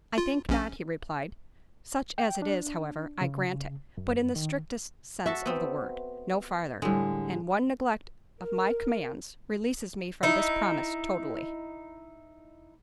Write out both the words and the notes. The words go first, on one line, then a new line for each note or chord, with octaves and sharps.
"I think not," he replied: "such as it is, however, I grant it: but in the strictest sense of the word--no farther--and one neglect of my commands, releases me from this promise totally."
F4
A#1 C#4
G5
D4
C#3
F#2
D#3
F#4 A4 E5 A5
B3 C4
A2 D3 G3 G#3
A#4
D#4 E4